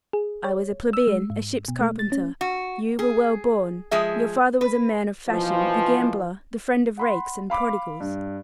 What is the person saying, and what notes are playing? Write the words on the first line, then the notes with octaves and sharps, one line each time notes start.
I was a plebeian, a ship's carpenter; you were well born, your father was a man of fashion, a gambler, the friend of rakes and prodigals.
G#4
C#5
E6
G#3
G#2
B2
A3
A6
C#4
F#4
G#4
F3 G#3 G#4 E5
B4
B2 E3 F3
F#5 B5 C6
F5 B5 D6
G2